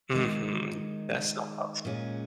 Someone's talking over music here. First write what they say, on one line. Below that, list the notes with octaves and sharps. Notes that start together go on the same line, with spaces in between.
Mhm. That's so awes
D#3 G#3 D#4
A#2 G#3 C#4